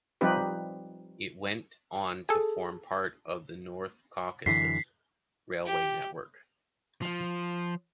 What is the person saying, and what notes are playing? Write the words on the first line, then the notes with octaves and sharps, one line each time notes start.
It went on to form part of the North Caucasus Railway network.
F3 G3 C4 D#4 G4 B4
G#4 A4
F#2 D3 E3 B6 C7
G4
F3